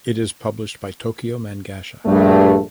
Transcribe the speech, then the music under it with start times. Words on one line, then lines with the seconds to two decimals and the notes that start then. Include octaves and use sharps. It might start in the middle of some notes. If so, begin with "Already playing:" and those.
It is published by Tokyo Mangasha.
2.06 A#1 G2 A3